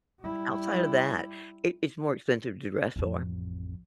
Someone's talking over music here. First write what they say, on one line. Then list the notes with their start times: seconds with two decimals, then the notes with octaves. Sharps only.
outside of that, it it's more expensive to dress for.
0.20 G3 E4
2.96 A1 F2